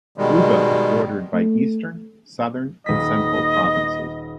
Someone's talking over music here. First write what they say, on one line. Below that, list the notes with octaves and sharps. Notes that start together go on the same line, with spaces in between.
Uva is bordered by Eastern, Southern and Central provinces.
B2 D#3 G3 G#3
A3
D#1 D#5 B6